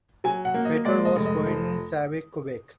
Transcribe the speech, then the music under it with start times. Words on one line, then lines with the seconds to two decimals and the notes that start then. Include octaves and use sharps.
Pelletier was born in Sayabec, Quebec.
0.24 F#3 G#5
0.45 F#5
0.54 A#3
0.65 D#5
0.85 G#3 D5
1.05 D#5
1.16 F1
1.26 D#5
1.46 F3